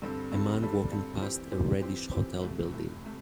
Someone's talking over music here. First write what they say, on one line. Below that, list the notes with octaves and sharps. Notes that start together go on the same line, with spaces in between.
A man walking past a reddish hotel building.
G2 D3 G3 C4 A4
G2 D3 G3 C4 A4
G2 D3 G3 C4 A4
G2 D3 G3 C4 A4
E3 C4 G4 C5
E3 C4 G4 C5
E3 C4 G4 C5
E3 C4 G4 C5
C2 C3 A3
C2 C3 A3
C3 A3